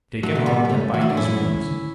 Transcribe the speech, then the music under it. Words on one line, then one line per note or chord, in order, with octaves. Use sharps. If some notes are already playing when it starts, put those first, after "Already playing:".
Take him home and bind his wounds.
A2 F#3 A3
A3
B2 G3 B3
B3
C#3 A3 C#4
E3 F#4
E4
D4
F#3 C#4 E4
E3
D3